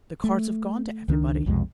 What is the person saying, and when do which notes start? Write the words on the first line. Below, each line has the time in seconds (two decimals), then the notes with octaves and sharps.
The cards have gone to everybody.
0.24 A3
1.08 C#2 D#3 C4 D4
1.46 B1 F2 C3 G#3